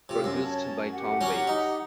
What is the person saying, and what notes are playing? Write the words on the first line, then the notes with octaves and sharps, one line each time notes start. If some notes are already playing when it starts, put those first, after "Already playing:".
Produced by Tom Waits.
C3 F4 E6
F#2
C#5 A5
G4 F#5
F#3 C#4
D#4